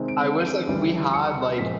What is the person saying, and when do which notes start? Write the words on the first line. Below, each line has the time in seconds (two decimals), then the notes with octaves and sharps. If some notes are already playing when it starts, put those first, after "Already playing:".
I wish, like, we had, like
Already playing: C3 D#3 G#3 C4 D#4
0.08 D7
0.40 D#7
0.46 D7
0.67 D2 C#3 E3 G3
1.13 C#7
1.57 A#2 F3 G#3 C#4 B6